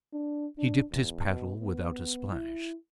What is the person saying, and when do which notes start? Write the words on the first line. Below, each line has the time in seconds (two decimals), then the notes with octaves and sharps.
He dipped his paddle without a splash.
0.13 D4
0.58 D4
0.92 E2
1.28 B2
1.60 B3
2.32 E4